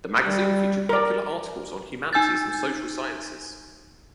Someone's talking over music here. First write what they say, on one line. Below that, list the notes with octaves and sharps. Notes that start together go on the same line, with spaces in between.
The magazine featured popular articles on humanities and social sciences.
G3
A#4 D5
D#4 G#5 E6 G6 A6